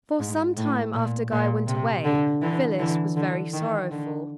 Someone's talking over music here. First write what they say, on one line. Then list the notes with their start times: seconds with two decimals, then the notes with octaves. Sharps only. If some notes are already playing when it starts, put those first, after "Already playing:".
For some time after Guy went away Phyllis was very sorrowful.
0.20 G#2
0.57 A2
0.94 A#2
1.31 A#2
1.67 C3
2.05 D3
2.42 D3 E3
2.79 D3 E3
3.16 D3
3.53 D#3
3.91 D3